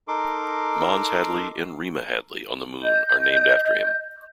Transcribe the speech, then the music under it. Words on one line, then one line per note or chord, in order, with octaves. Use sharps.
Mons Hadley and Rima Hadley on the Moon are named after him.
D#4 A4 A#4 C6 D6
D#5 G6